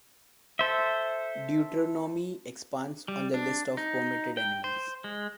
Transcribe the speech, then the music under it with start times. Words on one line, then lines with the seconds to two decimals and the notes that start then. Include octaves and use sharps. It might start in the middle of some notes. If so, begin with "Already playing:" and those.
Deuteronomy expands on the list of permitted animals.
0.59 A4 C5 E5
3.08 G3
3.34 D4
3.77 D#4
4.37 G5
4.64 C5
5.04 G#3